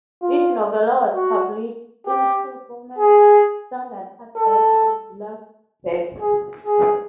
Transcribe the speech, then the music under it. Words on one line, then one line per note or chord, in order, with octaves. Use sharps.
Each novella was published in two formats: standard hardback and deluxe hardback.
F4
F#4
G4
G#4
A4
G#4
G#4